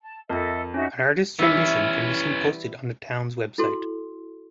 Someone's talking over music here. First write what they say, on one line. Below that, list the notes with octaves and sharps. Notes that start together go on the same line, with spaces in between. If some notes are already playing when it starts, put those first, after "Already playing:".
An artist's rendition can be seen posted on the town's web site.
A5
F2 A4 A#4 D#5 E5
C#4 D#4 F#4 E5
E3 G3 B3 C#4 E4
E4 F#4 A4 C6